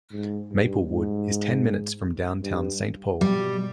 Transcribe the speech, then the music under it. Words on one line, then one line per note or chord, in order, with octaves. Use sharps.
Maplewood is ten minutes from downtown Saint Paul.
G#2
G2
G#2
G2
B2 G3